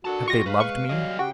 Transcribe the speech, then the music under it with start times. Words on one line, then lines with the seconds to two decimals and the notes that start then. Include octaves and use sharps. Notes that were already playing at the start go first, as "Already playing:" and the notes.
Have they loved me?
0.05 D3 F#4 A#4 A5
0.28 G3 G#3 F4 C#6 A#6
0.46 G#3 B4 F5
0.60 C#6
0.89 F#3 G3 D#5
1.19 C#3 F#4 G4 G5